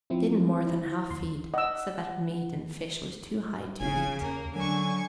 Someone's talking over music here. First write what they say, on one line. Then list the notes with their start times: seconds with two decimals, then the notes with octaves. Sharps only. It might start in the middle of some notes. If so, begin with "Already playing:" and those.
Didn't more than half feed, said that meat and fish was too high to eat.
0.10 F3 C4 E4
0.67 E4 C5
1.10 D#2 C6
1.54 D#5 F#5 E6
3.80 F#1 C#3 G#5
4.21 D#2 A#3
4.55 D3 F#3 G#5 C#6